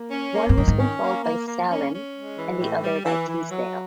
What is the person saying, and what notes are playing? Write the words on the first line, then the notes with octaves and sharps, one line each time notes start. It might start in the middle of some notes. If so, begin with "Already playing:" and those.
One was controlled by Saleam and the other by Teasdale.
Already playing: A#3
C#4
A#3
G#2
G2 D#3
G#2
C#4
A#3
A#3
A#3
C#4
C#4
G#3
E3
A2
G3
E3
E3
F#3